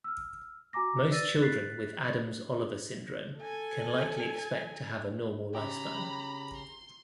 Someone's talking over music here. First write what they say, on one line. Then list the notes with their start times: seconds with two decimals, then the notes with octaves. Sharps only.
Most children with Adams-Oliver syndrome can likely expect to have a normal life span.
0.04 E6 F6
0.73 F#4 G#5 A#5 D6 A#6
1.11 B4 D5 E6 A6 A#6 D#7
1.40 F#6 A6 B6 C7
3.39 A4 G#5
5.55 C#3 C#4 G4 A#5 B5
6.57 C6